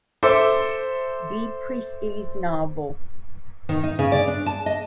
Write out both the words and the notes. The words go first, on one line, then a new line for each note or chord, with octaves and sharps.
B. Priestley's novel.
A4 C5 E5 D6
D#3
D#4
C#3
D5
D4
A5
D#5